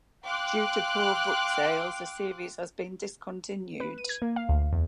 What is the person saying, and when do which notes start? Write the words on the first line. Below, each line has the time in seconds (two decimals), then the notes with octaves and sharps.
Due to poor book sales, the series has been discontinued.
0.25 F5 G5 C6 D6 F#6
3.80 B4
3.98 D#7
4.09 G#6
4.22 A#3
4.36 F5
4.49 D2
4.73 E2